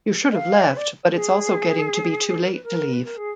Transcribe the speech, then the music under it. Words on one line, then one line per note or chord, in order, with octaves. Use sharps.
You should have left, but it’s also getting to be too late to leave.
D#5
F5
D5
B4
D5
G#4
A#4
B4
A#4
B4
A#4
G#4